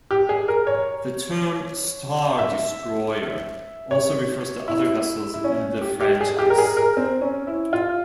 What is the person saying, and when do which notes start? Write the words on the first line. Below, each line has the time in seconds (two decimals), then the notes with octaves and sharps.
The term "Star Destroyer" also refers to other vessels in the franchise.
0.11 G4
0.29 G#4
0.48 A#4
0.67 C#5
2.39 E5
3.91 C#5
4.68 E4
5.34 E4
5.44 C#4
5.82 G4
6.01 G4
6.21 G#4
6.39 G4
6.50 A#4
6.58 G#4
6.77 A#4
6.97 C4
7.21 C#4
7.47 E4
7.73 F4